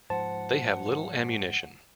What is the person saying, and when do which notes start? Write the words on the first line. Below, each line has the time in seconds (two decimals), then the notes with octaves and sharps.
They have little ammunition.
0.10 G#2 F3 C5 F#5 A5